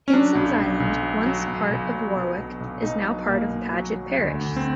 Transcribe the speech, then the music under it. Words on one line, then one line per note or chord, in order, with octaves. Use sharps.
Hinson's Island, once part of Warwick, is now part of Paget Parish.
C#4
F#3 D4
B1
B1
B1
F#3
F#3
B1
B1
F#3
B2
B1
B1
B2 D#4
F#3
B1 A#3
B1
F#3
F#3
D2
D2
C4